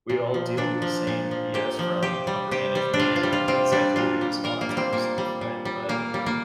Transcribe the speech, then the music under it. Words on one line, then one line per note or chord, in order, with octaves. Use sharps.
we all deal with the same BS from upper management, and the executives, and all that type of stuff, right? But,
A#2
F3
A#2 D4
F3
A#2
F3
A#2 G4
F3
C3 G4
G3
C3 G4
G3
D4
C3 F4
F4
G3
F4
C3 C4
G3 D4
A#2 F4
G3
A#2 A#4
A#3
G3
C4
A#2 A#3
G3
A#2
G3
A#2 A#3
G3
A#3